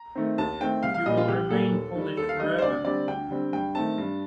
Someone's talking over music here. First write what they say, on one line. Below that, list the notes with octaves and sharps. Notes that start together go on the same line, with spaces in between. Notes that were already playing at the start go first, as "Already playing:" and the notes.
You will remain Polish forever.
Already playing: A#5
D#3 A3 C4
D#2 A5
D#3 A3 C4 G5
C2 F5
F5
A#2 G3 A#3 D#5
F4
C2 G4
A#2 G3 A#3 A4
D#2
D#3 G3
D#2 A4
F5
D#3 G3 D#5
C5
D2 D5
D3 G3 C4 D5
D2 G5
D3 G3 C4
G2 G5
D#3 A3 C4 A5
G2